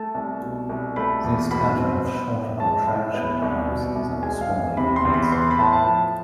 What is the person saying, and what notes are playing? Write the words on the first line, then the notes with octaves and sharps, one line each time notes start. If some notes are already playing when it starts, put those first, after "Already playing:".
These tend to have shorter contraction times than the smaller units.
Already playing: A3 A5
C2
B2
C2
A3 B5
E2
B2 B5
C4
B3
A2
G#3 A5
A2
B3
C2
B2
C2
G#3 G#5
F5
E2
C3 B5
C6
E2
B5
B3 C6
B5
A2 A5
A5
F3